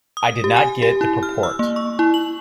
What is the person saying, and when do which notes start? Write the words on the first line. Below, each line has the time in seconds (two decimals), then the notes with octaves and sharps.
I did not get the purport.
0.17 D#6
0.44 G4
0.56 G#5
0.82 G4
1.01 E4
1.23 F6
1.43 E6
1.59 A#3
1.76 C#6
1.99 E4
2.14 F#7